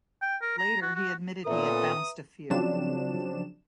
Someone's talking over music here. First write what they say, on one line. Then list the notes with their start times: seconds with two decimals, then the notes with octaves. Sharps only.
Later, he admitted he had bounced a few.
0.22 G5
0.42 A#4
0.58 A#5
0.82 F#4
0.96 F#4
1.46 A#2 B3 C#4 A4 B4 E5 A#5 D#6
2.50 C#3 F3 F#3 C4 D4 E7